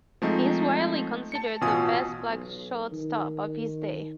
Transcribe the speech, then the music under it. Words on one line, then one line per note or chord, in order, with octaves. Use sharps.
He is widely considered the best black shortstop of his day.
F3 G#3 A3 C4 D#4
A5 C#7
A1 B2 F4 G#5 D#6
B1
D#3